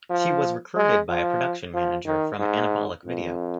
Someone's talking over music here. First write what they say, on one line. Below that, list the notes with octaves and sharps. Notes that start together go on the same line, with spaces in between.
She was recruited by a production manager from Anabolic Video.
F3
G#3
F3
F3
D#3
G#2
F2